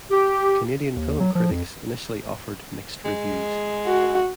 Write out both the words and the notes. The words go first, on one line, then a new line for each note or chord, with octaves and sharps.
Canadian film critics initially offered mixed reviews.
G4
D#2
F#3
F3
F2
G#3
F#4